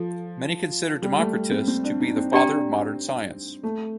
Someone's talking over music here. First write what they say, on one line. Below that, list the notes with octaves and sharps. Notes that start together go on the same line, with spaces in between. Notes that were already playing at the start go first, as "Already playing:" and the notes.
Many consider Democritus to be the "father of modern science".
Already playing: F3 A4
G3
A3
C4
C4
D4
D#4
C4
D4 G4 D5 G5 A#5
A3